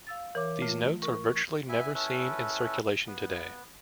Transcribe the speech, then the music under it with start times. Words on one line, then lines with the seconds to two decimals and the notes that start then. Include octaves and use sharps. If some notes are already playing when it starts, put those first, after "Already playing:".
These notes are virtually never seen in circulation today.
0.07 F5 E6 A6
0.35 E3 A#4 C#5 D6
0.62 A3 F4
1.02 A#4 C#6
1.69 B3 E4 E5 G#5
1.94 C#4 E4 A4 B4
3.07 B3